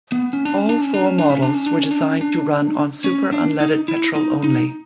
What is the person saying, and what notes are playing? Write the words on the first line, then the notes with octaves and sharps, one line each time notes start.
All four models were designed to run on super unleaded petrol only.
B3
C#4
D4
C#4
D4
C#4
D4
C#4
D4
C#4
D4
C#4
D4
C#4
D4
C#4
D4
C#4
D4
D#4
E4
D#4
D#4